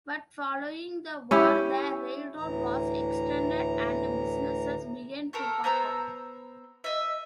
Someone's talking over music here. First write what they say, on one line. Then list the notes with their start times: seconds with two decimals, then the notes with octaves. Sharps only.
But, following the war, the railroad was extended and businesses began to pop up.
1.31 C#4 E4 G4
2.36 D2 A2 E3 A#5
5.33 A3 A4 A#4
5.64 B3 C5 A#5 E6
6.84 D#5 E5